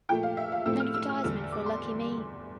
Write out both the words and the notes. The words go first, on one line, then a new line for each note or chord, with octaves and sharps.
An advertisement for Lucky Me!
A#2 F3 A3 G5
F5
E5
F5
A2 F3 A3 C4 E6
F6
E6
F6
E2 D3 G3 E6
D6
C6